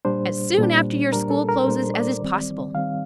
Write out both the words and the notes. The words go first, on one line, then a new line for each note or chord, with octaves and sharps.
"As soon after your school closes as is possible."
A#2 G3 D4 C5
A#2 G3 D4
A#2 G3 D4 A#4
A4
A#4
A#2 G3 D4 C5
D5
D#3 G3 C4
D#3 G3 C4 F5